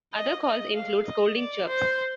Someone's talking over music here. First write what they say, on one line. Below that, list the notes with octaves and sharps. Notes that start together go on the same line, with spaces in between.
Other calls include scolding chirps.
D#5
D#5
F5
D#5
D5
C5